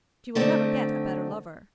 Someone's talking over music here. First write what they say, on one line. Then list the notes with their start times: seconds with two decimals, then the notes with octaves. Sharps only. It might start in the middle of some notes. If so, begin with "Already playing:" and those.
"She will never get a better lover."
0.35 D3 A3 C4 D#4